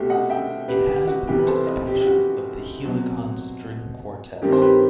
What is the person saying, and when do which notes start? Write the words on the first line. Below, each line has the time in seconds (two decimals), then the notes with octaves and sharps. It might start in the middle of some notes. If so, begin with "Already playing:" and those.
It has the participation of the Helicon String Quartet.
Already playing: C2 B2 A3 C4 F#4 G4
0.10 D#5 F#5
0.30 E5 G5
0.68 G4 B4
0.88 G4
1.07 F#4
1.27 C2 C3 E3 B3 G4
1.39 B4
1.47 A4 C5
1.67 B4 D#5
1.87 G4
2.01 G4
2.06 F#4
2.85 B2 F#3 C4
4.42 G2 D#3 G3 C4 G4
4.52 C5
4.61 G4 B4